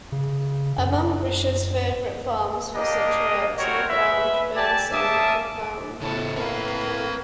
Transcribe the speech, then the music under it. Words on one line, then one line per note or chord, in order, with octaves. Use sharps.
Among Risher's favorite forms for such works are the ground bass and chaconne.
C#3
F#2
A#3 D4 G4 D#5
G3 C4 F#4 A#4 C#5
B4 E5
G4 D5 G#5 A5
A#3 C#4 E5 A5 D6 D#6
A2 C#3 B3 A5
A#3 C4 A#4 B4 F5